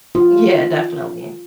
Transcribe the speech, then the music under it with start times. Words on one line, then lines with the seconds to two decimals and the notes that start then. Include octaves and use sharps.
Yeah, definitely.
0.15 F4